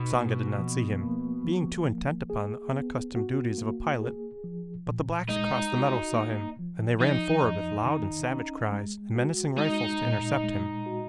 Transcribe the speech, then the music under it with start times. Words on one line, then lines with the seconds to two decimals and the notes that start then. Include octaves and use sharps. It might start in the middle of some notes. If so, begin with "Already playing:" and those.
Usanga did not see him, being too intent upon the unaccustomed duties of a pilot, but the blacks across the meadow saw him and they ran forward with loud and savage cries and menacing rifles to intercept him.
Already playing: B2 D#4
0.16 A#3
0.58 F3
1.01 A#3
1.44 F3
1.87 A#3
2.30 G#4
2.73 B3
3.16 F#4
3.58 A#3
4.01 G#4
4.44 F3
4.87 A#2
5.29 G#3 D#4
5.72 F#4
6.15 A#3
6.59 F3
7.00 F3 D#4
7.44 F2
7.86 D#3
8.30 C#4
8.72 G#3
9.15 F#4
9.57 G#3 D#4
10.01 A#2
10.44 G#3
10.86 F#4